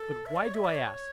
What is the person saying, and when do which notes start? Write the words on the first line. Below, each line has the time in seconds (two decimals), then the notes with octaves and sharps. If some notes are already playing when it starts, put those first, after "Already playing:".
But why do I ask?
Already playing: A4
0.26 E5
0.36 D5
0.45 C#5
0.54 E5
0.64 D5
0.75 C#5